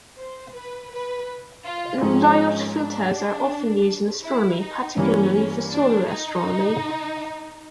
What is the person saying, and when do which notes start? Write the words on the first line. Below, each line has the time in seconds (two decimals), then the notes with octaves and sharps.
Lyot filters are often used in astronomy, particularly for solar astronomy.
0.16 C5
0.53 B4
0.90 B4
1.64 F4
2.01 G#2 F3 G#3 C4 C#4
2.75 D4
4.22 E4
4.59 D#4
4.96 G2 E3 G3 A#3 C#4
5.71 D4
6.08 D#4